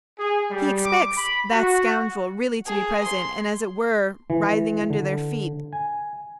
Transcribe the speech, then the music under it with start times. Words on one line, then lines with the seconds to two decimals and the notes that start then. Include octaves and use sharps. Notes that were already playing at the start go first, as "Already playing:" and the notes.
He expects "that scoundrel" really to be present and, as it were, writhing under their feet....
0.18 G#4
0.49 G3
0.84 D6
1.16 B5
1.52 F#4
2.67 G#4
3.04 C6
4.30 E3
4.90 D3
5.73 G#5